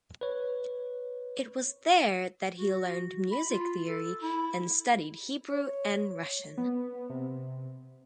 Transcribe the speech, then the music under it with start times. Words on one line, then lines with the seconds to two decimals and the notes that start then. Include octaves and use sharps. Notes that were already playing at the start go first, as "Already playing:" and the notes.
It was there that he learned music theory and studied Hebrew and Russian.
0.21 B4 C#5
2.57 F#4
3.32 B5
3.50 F4
3.88 A4
4.23 E4
5.50 C#5
6.58 B3
7.10 C3